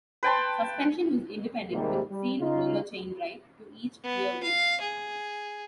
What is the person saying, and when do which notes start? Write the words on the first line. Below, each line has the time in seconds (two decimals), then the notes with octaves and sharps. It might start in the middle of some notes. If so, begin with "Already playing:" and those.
Suspension was independent with sealed roller chain drive to each rear wheel.
0.23 B4 G5 A5 C6
1.71 D#2 G#2 C3 G3 G#3 A#3
2.11 G3
2.40 C#3 D#4 F4
4.04 B3
4.43 F5
4.81 G#4